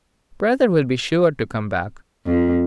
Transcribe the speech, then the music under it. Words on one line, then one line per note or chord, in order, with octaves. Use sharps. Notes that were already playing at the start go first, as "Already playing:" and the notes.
Brother will be sure to come back.
F2